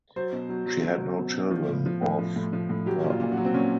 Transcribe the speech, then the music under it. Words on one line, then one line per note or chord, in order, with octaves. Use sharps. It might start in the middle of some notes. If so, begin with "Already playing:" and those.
She had no children of her own.
F#3 C5
B2
F#3
F#3
F#3
F#3
B2
B2
F3
A2
F3
A2
F3
A2
F3
A2
F#3 G4
A#2
F4
A#2
F#4
F#3
C4
A#2 C#4